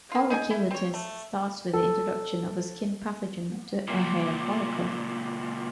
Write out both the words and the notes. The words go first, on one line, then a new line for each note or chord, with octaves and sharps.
Folliculitis starts with the introduction of a skin pathogen to a hair follicle.
A#3 F4
D#4 G#4 D5 G#5
E4
C4 C#5
A3
A4
C#2 A#2